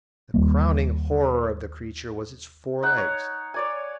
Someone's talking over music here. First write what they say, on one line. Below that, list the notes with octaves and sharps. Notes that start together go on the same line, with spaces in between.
The crowning horror of the creature was its forelegs.
D#2 G3 A#3
D#4 F#5
C#5
C#5 D5 G#5